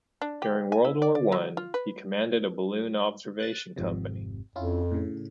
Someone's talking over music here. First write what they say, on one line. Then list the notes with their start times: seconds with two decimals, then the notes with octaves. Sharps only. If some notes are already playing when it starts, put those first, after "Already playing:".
During World War One, he commanded a balloon observation company.
0.22 D4
0.42 G4
0.72 G#5
0.85 E4
1.02 D5
1.15 D5
1.32 F#3
1.57 F4
1.74 B4
3.40 F#6 A6
3.76 G#1 F2 C3
4.56 F2 C#4 E4 F4
4.91 A2 C#3